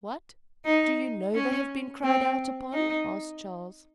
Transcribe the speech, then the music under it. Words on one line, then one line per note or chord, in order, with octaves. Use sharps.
"What! do you know they have been cried out upon?" asked Charles.
D#4
C#4
C4
D#4